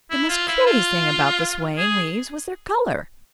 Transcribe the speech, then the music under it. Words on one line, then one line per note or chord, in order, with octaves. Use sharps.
But the most curious thing about the swaying leaves was their color.
E4
F4
E4
F4
G#4